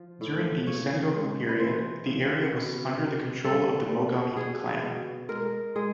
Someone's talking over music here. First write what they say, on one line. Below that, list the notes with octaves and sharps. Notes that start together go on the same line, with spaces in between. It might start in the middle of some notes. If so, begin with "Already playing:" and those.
During the Sengoku period, the area was under the control of the Mogami clan.
Already playing: F3
A2
C#3 C#5
G#3
B4
E3 C5
C#3
B2
B2
G3 A4
G3
B2 G#4
B2
G#3 A#4
G#3 G#4